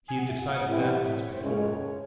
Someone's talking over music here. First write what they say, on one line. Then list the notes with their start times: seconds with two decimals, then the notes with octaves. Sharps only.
He had decided that once before!
0.08 G#5
0.19 F#5
0.29 E5
0.39 F#5
0.66 C2 C3 E3 C4 E4
1.03 E5
1.23 C#5
1.32 C5
1.41 C#2 C#3 G#3 C#4 C#5